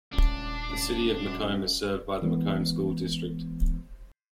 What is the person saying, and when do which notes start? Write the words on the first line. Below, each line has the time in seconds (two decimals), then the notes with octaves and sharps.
The City of McComb is served by the McComb School District.
0.13 D#1 C#2 D4
0.69 C#2
1.26 F#2
2.22 E3 G#3 B3